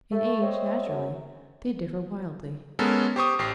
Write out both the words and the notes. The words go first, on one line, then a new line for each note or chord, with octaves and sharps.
In age, naturally, they differ wildly.
A3
C4 C5 C#5 D#5 E5
F#2
G#3 B3 C#4 A4 A#4
G4 C5 C#6 D#6
A1 G4 C7